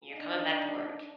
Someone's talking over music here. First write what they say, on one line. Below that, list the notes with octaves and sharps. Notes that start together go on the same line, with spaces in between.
You're coming back to work.
D4 D#4